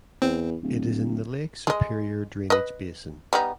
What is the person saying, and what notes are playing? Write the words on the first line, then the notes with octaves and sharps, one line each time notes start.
It is in the Lake Superior drainage basin.
E2 C4
D1
G#3 D#5
B4 D#5
G3 B3 D#4